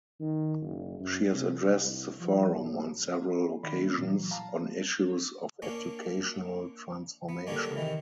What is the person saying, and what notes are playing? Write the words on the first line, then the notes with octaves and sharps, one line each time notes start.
She has addressed the Forum on several occasions on issues of educational transformation.
D#3
F#1
F#2
C3
C2
F3
B1
D#3 D5 B5
A#3 C#4
A#2 E3 F#3
F5 A5 A#5
A#3 C#4 D4
B3
D3 F#3 G3 A#3 C#4 D4
C3 D#3 E3